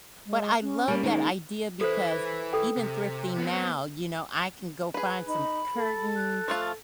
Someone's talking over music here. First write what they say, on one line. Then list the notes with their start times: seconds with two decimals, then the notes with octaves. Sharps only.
but I love that idea because even thrifting now, you know, I can go find some curtains,
0.25 G#3
0.61 C#4
0.88 G3 A#3
1.03 D#3 G#3 A#3
1.81 E4 A4 B4 C5
2.53 A4 G5
2.77 C3
3.38 B3 C4
4.94 G#4 B4
5.27 D#4 B5
5.75 A4
6.16 F#6
6.48 F3 A3 F4